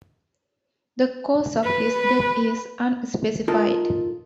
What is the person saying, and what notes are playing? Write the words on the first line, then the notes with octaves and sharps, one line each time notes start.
The cause of his death is unspecified.
B4
D#4 F4 A4 A#4 D#5